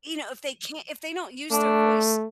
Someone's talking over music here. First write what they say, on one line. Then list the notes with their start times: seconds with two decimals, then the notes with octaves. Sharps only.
you know, if they can't if they don't use their voice
1.51 A3 D4